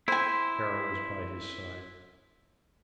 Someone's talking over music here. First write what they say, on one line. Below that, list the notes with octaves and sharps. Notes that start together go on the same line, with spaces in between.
Kara was by his side.
E4 C5 G#5